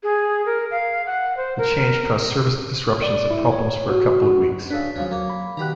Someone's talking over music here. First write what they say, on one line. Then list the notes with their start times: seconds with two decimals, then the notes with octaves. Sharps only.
The change caused service disruptions and problems for a couple of weeks.
0.03 G#4
0.46 A#4
0.71 F5
1.06 F#5
1.37 C5
1.58 A#4
3.02 D5
3.31 E4
3.52 C#5
3.89 F#4
4.22 F#4
4.70 C#3 D4 A4 B4
4.96 D#2 C#3 F3 F#3 C#4
5.11 F#3 A#3 C#5
5.30 B5
5.57 B2 D#3 G4 A#5 F#6